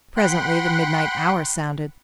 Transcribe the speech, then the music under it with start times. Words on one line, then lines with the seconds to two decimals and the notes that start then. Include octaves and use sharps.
Presently the midnight hour sounded.
0.17 F#5 G5 B5 C6 F#6